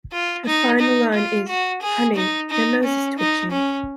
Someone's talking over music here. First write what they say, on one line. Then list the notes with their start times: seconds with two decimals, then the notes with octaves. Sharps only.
Her final line is "Honey, your nose is twitching".
0.12 F4
0.46 D#4
0.80 D#4
1.14 F4
1.48 F#4
1.82 G#4
2.16 D#4
2.50 D#4
2.84 C#4
3.18 D#4
3.52 C#4